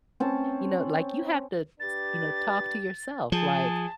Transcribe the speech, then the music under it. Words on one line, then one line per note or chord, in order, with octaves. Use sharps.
you know, like, you have to s you know, talk to yourself like,
C4 C#4 A5
D4 G4 B4 A6
F3 G#4 A5